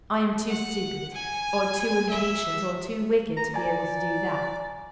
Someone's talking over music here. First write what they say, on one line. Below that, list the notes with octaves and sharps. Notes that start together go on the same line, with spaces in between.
I am too stupid, or too impatient, or too wicked to be able to do that.
F#5
G#5
E5
A#5
D5 G#5 A#5